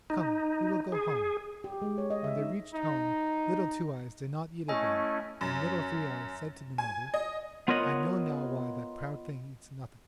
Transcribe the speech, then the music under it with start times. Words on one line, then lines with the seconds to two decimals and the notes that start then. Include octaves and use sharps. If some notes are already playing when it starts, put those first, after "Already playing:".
Come, we will go home.' When they reached home, Little Two-eyes did not eat again, and Little Three-eyes said to the mother, 'I know now why that proud thing eats nothing.
0.10 D#4
0.92 G#4
1.64 G4
1.82 G#3
1.98 C#5
2.10 D#5
2.24 E5
2.38 D#4
2.74 D#4
4.69 A3 C#4 E4 D#5 G#5
5.41 F#2
6.78 G#5
7.14 D#5
7.68 B3 F4 A#4 C#5 D#5 F#5